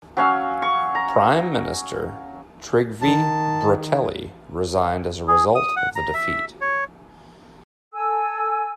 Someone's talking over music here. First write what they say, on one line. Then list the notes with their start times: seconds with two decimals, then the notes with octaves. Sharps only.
Prime Minister Trygve Bratteli resigned as a result of the defeat.
0.17 F#3 C#4 F5 E6
0.62 C#6
0.95 A#5
3.02 D#3 A5
5.28 G#4
5.55 D#6
5.77 F#5
5.96 A#5
6.14 E5
6.61 C#5
7.94 A4 G#5 E6